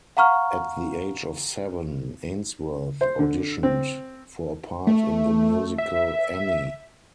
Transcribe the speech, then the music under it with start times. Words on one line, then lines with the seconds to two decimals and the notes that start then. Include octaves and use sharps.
At the age of seven, Ainsworth auditioned for a part in the musical "Annie".
0.17 F5 F#5 A#5 C#6 F6
3.01 C5
3.19 D3
3.63 C4
4.87 A3
5.78 E5